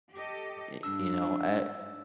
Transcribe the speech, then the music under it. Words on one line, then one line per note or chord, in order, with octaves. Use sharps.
y you know, I
G4 A4 D#5
G2 D4 E6